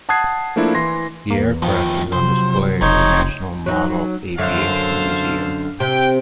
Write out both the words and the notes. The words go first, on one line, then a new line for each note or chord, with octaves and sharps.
The aircraft is on display at the National Model Aviation Museum.
F#5 A5 D#6 F#6 G#6 C7
F3 A3 A#3 D4 E4
E3 C6 A#6
E2 A#3
A2 D#3 F3
C3 F#3 C5
F1 A2 C#3 C4 D#4 C#5
F#3 D#4
F#2 D3 A4 C5 F5
C3 G5